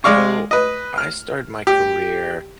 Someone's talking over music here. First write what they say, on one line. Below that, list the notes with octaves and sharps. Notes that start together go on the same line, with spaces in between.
So, I started my career
G#3 D5 F5 C#6
B4 D#5
F6
G4